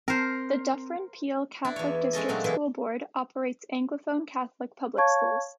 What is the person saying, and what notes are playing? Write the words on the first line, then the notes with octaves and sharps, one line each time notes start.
The Dufferin-Peel Catholic District School Board operates Anglophone Catholic public schools.
C4 A#4 C5
D4 E4
E2 C#5
G#3 C#4 A4 D#5
A#2 F#3 A3 C4 D4
B2 E3 E4 G#4
C#5 F5 A5 C#6 G#6